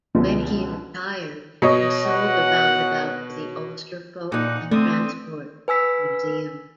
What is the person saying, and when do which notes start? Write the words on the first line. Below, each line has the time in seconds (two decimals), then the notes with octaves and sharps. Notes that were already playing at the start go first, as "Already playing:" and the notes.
When he retired he sold the roundabout to the Ulster Folk and Transport Museum.
0.15 C#2 B2 D3 F3
1.62 B2 C#5 D#5
2.05 F#5
4.32 A#2 D3 D#4 F#5
4.71 D3 A3 C4 D#6
5.68 B4 G#5 E6 B6